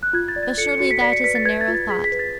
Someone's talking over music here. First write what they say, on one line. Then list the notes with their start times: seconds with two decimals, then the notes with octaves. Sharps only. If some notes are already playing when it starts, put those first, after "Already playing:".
But surely that is a narrow thought.
0.03 F#6
0.13 F4 G#6
0.28 A6
0.36 D5
0.43 A6
0.57 A4 C#7
0.69 C#7
0.80 F#4 C#7
0.91 B6
1.01 D5 B6
1.12 C#7
1.24 B4 B6
1.35 A6
1.45 B4 G#6
1.61 A6
1.68 F4
1.74 A6
1.89 G#4 B6
2.04 B6
2.12 B4
2.19 A6